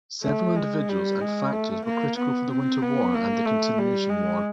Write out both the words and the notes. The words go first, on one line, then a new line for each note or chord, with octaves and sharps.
Several individuals and factors were critical for the Winter War and the Continuation War.
A3
G#3
G3
G#3
A3
A#3
B3
C4
B3
A#3
A3
G3
G#3